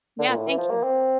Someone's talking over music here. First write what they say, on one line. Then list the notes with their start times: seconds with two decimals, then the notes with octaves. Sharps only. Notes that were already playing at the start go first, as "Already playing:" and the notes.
Yeah, thank you.
0.19 D3
0.29 A#2
0.38 A2
0.48 E3
0.58 F3
0.70 A#3
0.83 C4